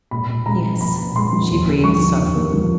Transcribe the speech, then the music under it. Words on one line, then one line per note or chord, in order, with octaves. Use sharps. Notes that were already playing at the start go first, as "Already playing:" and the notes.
"Yes," she breathed softly.
A#2 B5
A#2
G#3 A#5
F3
A#2 B5
A#2
G#3 C6
F3
D#2
A#3
F3 C#6
D3
D#2
A#3
F3